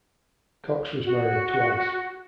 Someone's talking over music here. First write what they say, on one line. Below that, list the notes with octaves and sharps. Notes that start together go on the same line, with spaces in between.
Cox was married twice.
F#4